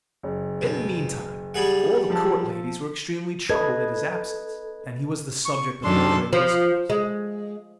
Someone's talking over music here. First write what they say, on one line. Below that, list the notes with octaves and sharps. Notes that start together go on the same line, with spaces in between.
In the meantime all the court ladies were extremely troubled at his absence, and he was the subject of all their discourse.
F#1 C#5
B2
G3 G#4 F#5
F3 A5 E6
A4 B4 D#5 G#6
C#6
F#2 D#3 D4 A4 C6
F3
G#3